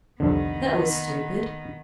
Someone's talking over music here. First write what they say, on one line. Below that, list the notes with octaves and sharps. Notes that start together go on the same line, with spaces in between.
'That was stupid.
C2 F2 D3 D#3 B3